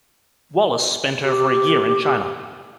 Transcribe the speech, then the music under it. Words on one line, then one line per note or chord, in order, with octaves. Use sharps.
Wallis spent over a year in China.
G4